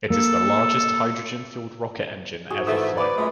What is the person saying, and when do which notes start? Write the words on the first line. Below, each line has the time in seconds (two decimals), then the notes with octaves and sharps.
It is the largest hydrogen-fueled rocket engine ever flown.
0.10 A#3 A4
2.50 G#2 F#4 G#4
2.67 E3 A3 D#6
2.98 B4 D5
3.17 F#2 A#2 G#3 A3